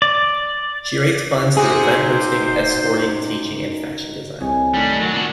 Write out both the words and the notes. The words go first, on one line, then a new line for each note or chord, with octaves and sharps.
She raised funds through event hosting, escorting, teaching and fashion design.
D5
F#2 C3 D#4 F#4 G#4 C5
C2 C#5 D#5 G#5
D#3 G3 A3 D4 D#4
F#3 F#4 A#4 F#5
A#2 D4 F#4